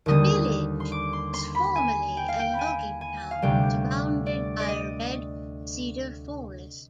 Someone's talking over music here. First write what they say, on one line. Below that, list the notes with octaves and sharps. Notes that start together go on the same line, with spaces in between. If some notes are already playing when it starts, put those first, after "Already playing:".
The village was formerly a logging town, surrounded by red cedar forest.
D#2 D3 G3 D#6
C6
D6
C6
C6
B5
G#5
G5
F5
G5
B5
G#5
G#5
F5
D2 C3 G3 G5
D5
D5
D#5